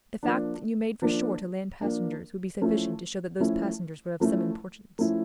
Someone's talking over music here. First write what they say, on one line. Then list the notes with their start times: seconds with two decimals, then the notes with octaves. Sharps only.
The fact that you made for shore, to land passengers, would be sufficient to show that those passengers were of some importance.
0.23 F3 A#3 D4
1.02 F3 A#3 D4
1.81 F3 A#3 D4
2.61 F3 A3 C#4 E4
3.40 F3 A3 C#4 E4
4.20 F3 A3 C#4 E4
4.99 F3 A3 C#4 E4